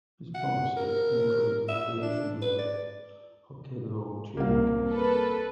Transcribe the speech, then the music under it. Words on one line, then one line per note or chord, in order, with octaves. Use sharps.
His policies include the creation of the "Hokkaido Cheering Committee".
F#5
A#4
E5
D4
B4
D5
C2 A#3 F5
A4 B4